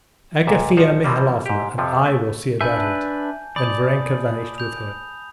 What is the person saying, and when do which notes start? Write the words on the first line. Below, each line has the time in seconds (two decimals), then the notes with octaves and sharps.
"Agafea Mihalovna and I will see about it," and Varenka vanished with her.
0.47 C#2 A#2 E5 A5
0.77 A#1 F3 C5 F#5 A5 A#5
1.04 E3 F3 G3 A#3
1.46 G#2 G4
1.78 F2 C3 F3
2.06 A3
2.61 D4 B4 E5 G#5 A5 G6
3.56 D5 B5 D#6 G6
4.58 G6 F7